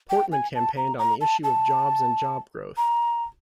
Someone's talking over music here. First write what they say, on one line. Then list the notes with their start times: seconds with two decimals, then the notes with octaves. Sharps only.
Portman campaigned on the issue of jobs and job growth.
0.10 G5
0.32 G#5
0.55 A5
0.77 A#5
0.99 A#5
1.21 A5
1.44 A5
2.77 A#5